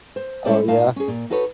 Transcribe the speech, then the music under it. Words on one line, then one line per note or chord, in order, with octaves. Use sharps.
Oh, yeah?
C5
G#3 C#4 E4 A4 C5 D5
A2 D#4 F5 A5
C#4 G#4
A#2
D#4 F#4 A4 B4 C#5